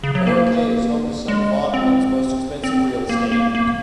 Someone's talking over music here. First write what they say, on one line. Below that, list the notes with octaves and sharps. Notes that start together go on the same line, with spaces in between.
Orakei is home to some of Auckland's most expensive real estate.
C#3
F#3
A#3
G#3
C4
C4
A#3
A#3
A#3